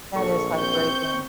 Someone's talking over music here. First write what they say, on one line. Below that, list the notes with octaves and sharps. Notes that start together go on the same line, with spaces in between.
That is heartbreaking.
A#1 A4 C#6
C4 G6